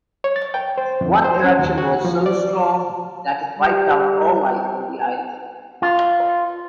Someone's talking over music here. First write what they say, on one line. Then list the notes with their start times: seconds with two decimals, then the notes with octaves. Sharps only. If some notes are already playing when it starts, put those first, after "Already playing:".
One eruption was so strong that it wiped out all life on the island.
0.24 C#5
0.36 A6
0.54 G5
0.78 C5
1.01 F2
1.24 C5
1.44 C#4
1.59 D#2
1.78 F#4
2.05 F3
2.26 D5
3.58 G3
5.82 F4